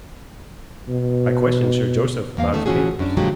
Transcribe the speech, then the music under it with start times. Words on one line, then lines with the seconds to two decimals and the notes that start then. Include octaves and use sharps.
I questioned Sir Joseph about his papers.
0.89 B2
2.37 E2 A#3 F5
2.53 D#3 A3 C#4
2.66 A2 E3 F3 C#4 F#4 G#4
2.99 F#2 C#4 D4
3.17 A#2 D3 F3 F#3 G#3 G4